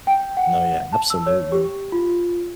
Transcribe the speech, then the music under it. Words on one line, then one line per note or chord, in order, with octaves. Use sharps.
No, yeah, absolutely.
G5
F#5
A5
E6
C#5
G4
F4